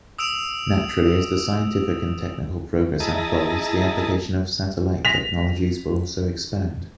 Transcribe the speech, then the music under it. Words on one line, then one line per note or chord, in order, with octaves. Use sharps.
Naturally, as the scientific and technical progress unfolds, the application of satellite technologies will also expand.
D#6 E6 D7 E7 F7
E4 G#4 D#5 A5 A#5
A#6 B6 F7